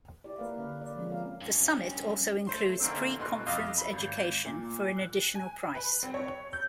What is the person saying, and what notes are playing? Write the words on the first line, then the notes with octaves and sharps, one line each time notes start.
The Summit also includes preconference education for an additional price.
E4 G4 D5
A#3 A#4 B4 F5
D3 C#4
D5
F3 G#3 C#4
C4 A#4 F5
G2 C#4
A3 C5 C6
A1 D3 A#3 C4 E6
A1 B2 C6 F#6
F2 D#5 F5 D6 E6
B5
G#1
A#2
F#6
G#5
B4
C4
C#5
G6